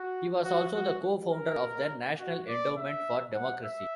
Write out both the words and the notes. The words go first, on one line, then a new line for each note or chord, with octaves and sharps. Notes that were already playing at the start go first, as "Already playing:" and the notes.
He was also the co-founder of the National Endowment for Democracy.
Already playing: F#4
F#4
F#4
A#4
F#4
D5
E5
F#5
E5